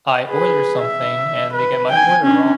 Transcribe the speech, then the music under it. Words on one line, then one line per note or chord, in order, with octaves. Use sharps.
I order something and they get my order,
G#4 B4
E5
B4
G5 G#5
C#4 D4